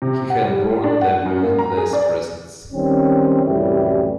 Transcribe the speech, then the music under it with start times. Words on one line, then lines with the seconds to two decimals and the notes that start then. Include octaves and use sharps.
He had brought them endless presents.
0.02 C3
0.30 F#5
0.44 G3
0.84 D4
1.01 F#5
1.25 F#2
1.43 A#3
1.59 A#5
1.77 G#4
1.93 D5
2.72 D#3 G3 C4 C#4
3.43 C2 F#2 A2 E3 G3